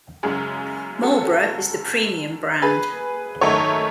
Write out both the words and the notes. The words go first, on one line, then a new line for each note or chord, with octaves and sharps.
Marlboro is the premium brand.
F#2 C#3 G#3 C#4 G#4
F#4 A4
G#4 B4
F#2 D#3 A3 D#4 A4 C#5